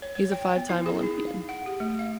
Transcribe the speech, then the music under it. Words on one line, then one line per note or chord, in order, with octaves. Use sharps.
He is a five-time Olympian.
C#5
C#5
G5
B3
E4
G#4
D#4
F5
F#5
G4
A3
F5